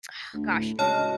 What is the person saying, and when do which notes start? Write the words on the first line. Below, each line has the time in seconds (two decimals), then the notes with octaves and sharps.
ugh, gosh,
0.33 D2
0.52 A2
0.79 C#2 F#4 C#5 D#5 A5 F6